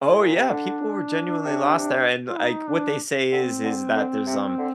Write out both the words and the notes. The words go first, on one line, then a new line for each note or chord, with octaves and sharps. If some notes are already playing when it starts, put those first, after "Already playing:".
Oh, yeah, people were genuinely lost there, and, like, what they say is is that there's, um,
A2
A#2
C3
D3 D4
C3
F4
D#4
D4
D3 C4
D3
D3
C3
D3